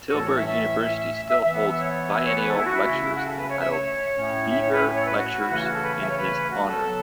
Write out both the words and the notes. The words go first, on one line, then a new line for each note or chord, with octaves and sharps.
Tilburg University still hold biennial lectures entitled the "Beeger lectures" in his honour.
F#4
A2 E3 A3 C#4 A4
C#5
E5
E5
E5
E5
E5
E5
E5
E3 B3
E5
E5
C#5
E5
C#5
B4
A4
E4
F#4
E4
C#3 A3 C#4
F#4
A4
B4
C#5
E5
C#5
A2 A3 C#4
E5
C#5
B4
C#5
A4
B4
F#4
E4
C#3 E3 A3 C#4 F#4
F#4
A4
B4
E5
C#5
B4
F#4
A4
C#3 F#3 B3